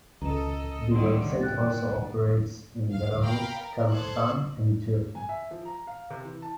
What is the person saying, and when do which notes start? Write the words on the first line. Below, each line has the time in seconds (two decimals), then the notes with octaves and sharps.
The web site also operates in Belarus, Kazakhstan and Turkey.
0.22 C#2 A4 D#5 A#5
0.91 D3 D#3 G3 C6
1.41 G#2 G5 F#6 A6
2.92 F5
3.22 F5 G5 A#5 B5
3.59 A#4
3.90 A4 C5 F#6 G#6
5.15 G#5
5.29 E5
5.51 F3
5.65 A#5
5.87 F5
6.10 C3
6.24 E3
6.42 A5